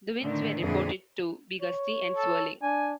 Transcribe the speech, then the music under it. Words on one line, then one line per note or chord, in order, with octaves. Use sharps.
The winds were reported to be gusty and swirling.
A2 D3 D#3
F2 A#2 D3 E3 G#4
C#5
A4
D4 G#5